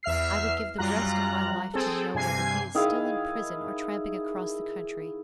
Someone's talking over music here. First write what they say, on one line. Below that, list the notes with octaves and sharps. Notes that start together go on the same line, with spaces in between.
I would give the rest of my life to know whether he is still in prison or tramping across the country.
E2 E5 F6 C7
F#2 G3 F4 A#5 F#6
C4 G#4 A4
G2 C3 G#5 G#6 C7
D#3 E4 G#4 F5